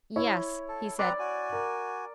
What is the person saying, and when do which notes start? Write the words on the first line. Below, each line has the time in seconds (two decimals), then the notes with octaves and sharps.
"Yes," he said.
0.16 E4 C#5
0.68 A4
0.99 C4 B4 D5 A#5
1.19 F#4 G#5
1.53 A#4